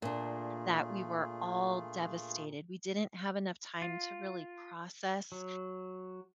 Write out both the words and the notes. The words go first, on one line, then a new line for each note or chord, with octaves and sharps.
that we were all devastated, we didn't have enough time to really process,
A#2 A3 D4 F4 G#4
F4
F#3